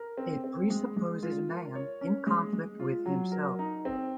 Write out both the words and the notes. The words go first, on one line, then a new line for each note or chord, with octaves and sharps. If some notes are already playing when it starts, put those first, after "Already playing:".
It presupposes man in conflict with himself.
Already playing: A#4
C4
C4
G#3
G#3
F4
A#4
C#5
C#4
G#3
G#3
F4
F#3
A#4
D#4
C4